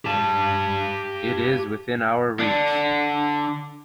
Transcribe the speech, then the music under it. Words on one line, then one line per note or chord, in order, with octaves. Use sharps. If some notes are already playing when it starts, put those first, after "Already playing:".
It is within our reach.
G4 A5
D3 D4